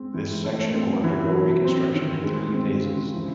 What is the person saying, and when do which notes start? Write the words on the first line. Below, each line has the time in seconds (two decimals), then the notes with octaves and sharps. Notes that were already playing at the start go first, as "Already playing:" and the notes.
This section will undergo reconstruction in three phases.
Already playing: G#3 C4
0.14 E3
0.44 A3
0.74 C4
1.04 E3
1.33 F#3
1.64 C4
1.94 D#3
2.24 G#3
2.54 C4
2.83 C#3
3.14 E3